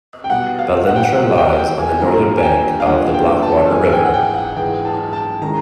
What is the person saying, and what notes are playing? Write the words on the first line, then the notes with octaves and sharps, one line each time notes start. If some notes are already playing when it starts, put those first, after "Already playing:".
Ballintra lies on the northern bank of the Blackwater river.
G5
B2 G3 B3 F#5
F5
F#5
G5
F#5
B2 G3 B3 F#5
G5
G5
G#5
D3 G3 A#3 D4 F4 A#5
G#5
G5
F5
D3 G3 A#3 D4 F4 F#5
G5
A5
G#2 E3 G#3 G#5
G#5
G5
F#5
G5
F#5
G#2 E3 G#3 G5
A5
A5
D#3 G#3 C#4 E4 A#5